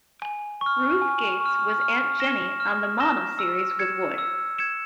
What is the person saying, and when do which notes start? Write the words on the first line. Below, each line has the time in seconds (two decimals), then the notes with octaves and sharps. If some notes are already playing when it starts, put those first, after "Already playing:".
Ruth Gates was Aunt Jenny on the "Mama" series with Wood.
0.22 G#5
0.61 C#6
0.66 F6
1.02 G#5
1.41 C#6 F6
1.80 F6
2.20 A#6 E7 G7
2.60 F6
3.00 A#6 E7 G7
3.39 E6
3.79 G#6 C#7 E7
4.18 E6
4.58 G#6 C#7 E7